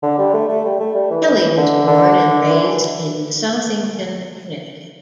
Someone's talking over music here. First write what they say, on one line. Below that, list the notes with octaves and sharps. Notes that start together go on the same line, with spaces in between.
Kelly was born and raised in Southington, Connecticut.
D3
G3
A3
A3
G3
A3
G3
E3
E3
D3
D3
E3